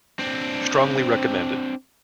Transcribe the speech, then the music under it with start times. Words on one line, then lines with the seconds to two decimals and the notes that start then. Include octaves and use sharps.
Strongly recommended.
0.19 C4 D4